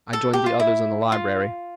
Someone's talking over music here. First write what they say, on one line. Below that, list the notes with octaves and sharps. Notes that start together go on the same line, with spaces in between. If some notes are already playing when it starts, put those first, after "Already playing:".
I joined the others in the library.
A4
G4
F4
E4
F4